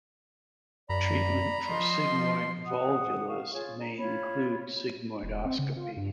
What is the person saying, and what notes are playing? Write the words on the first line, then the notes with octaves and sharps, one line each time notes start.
Treatment for sigmoid volvulus may include sigmoidoscopy.
F#2 D5 A#5 B5
F3 D#5 C6
F#5 D#6
F5 C#6
F4 G#4 C#5
A#5
F4 C#5 B5
E1
C4
C#3
F4
G2